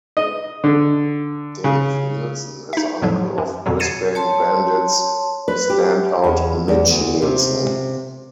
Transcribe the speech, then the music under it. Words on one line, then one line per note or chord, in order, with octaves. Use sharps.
Dave Nilsson is the uncle of Brisbane Bandits standout Mitch Nilsson.
D#5
D3
C#3
D#4 E5
F2 A2 D3 F3 F#3
F#2
F2 B2 D3 F#3
G#6 A6 C7 C#7 D#7 E7
C#5 A5 C6
B4
G4
E2
E2
D2
C3